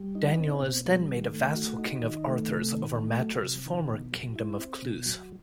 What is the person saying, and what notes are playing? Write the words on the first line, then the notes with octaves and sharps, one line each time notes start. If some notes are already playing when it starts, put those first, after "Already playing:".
Daniel is then made a vassal-king of Arthur's over Matur's former Kingdom of Cluse.
Already playing: G3
D#4
C4
B2
G3
D#3
A3
F#4
D#4
D#3
A3
C3
D#3
A3
F#3
C3
D#3
B2
F#3
E4
C4
B2
F#3